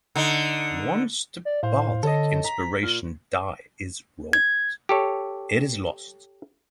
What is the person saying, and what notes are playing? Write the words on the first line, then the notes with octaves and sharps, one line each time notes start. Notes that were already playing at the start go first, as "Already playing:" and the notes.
Once the Bardic Inspiration die is rolled, it is lost.
D3 D#4
D5
A2 C5 F5
D3 A4 C#5 D#5
A#5 B6
A#2 F6
G#6
G4 A4 C#5